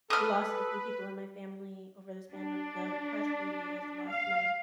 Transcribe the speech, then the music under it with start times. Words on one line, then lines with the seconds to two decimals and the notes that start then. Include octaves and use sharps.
lost a few people in my family over the span of the past few years. I lost my
0.10 A4 B4 D#6 F6
2.33 D4
4.09 F5